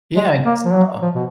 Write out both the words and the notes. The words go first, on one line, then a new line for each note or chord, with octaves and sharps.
Yeah, I guess so.
G#3
A#3
F3
F#3
F3
B2